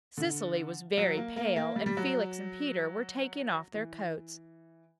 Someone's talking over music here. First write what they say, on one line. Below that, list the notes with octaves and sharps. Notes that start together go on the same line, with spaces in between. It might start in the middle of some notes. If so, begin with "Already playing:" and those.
Cecily was very pale, and Felix and Peter were taking off their coats.
D3
F#3
A#3
A#3
A#3
G3
G3
F#3
E3